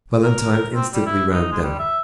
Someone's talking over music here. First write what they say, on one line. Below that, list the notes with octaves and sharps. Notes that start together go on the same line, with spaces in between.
Valentine instantly ran down.
A#4
A#4
C4
G3
E4
D#4
G#3
G3
E5